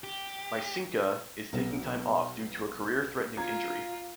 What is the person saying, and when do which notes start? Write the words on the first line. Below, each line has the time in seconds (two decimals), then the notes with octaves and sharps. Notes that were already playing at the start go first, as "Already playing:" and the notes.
Myskina is taking time off due to a career-threatening injury.
0.04 G4
1.53 B1 B3
3.37 F4 A#5 G#6